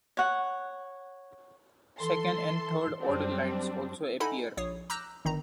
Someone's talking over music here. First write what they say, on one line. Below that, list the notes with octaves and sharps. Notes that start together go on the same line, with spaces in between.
Second and third order lines also appear.
C#5 F#5
E3 A4 C6
F#2 G3 C4 D4
D#4 E4 A4 F#5 G#5 B5
A#1 C#5 D#6 C7
A#5 D6 E6 F#6 G6 A#6
G1 D#3 A#5